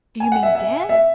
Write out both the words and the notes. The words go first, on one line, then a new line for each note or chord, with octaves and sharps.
Do you mean dead?
G#5
F#5
E5
E5
E5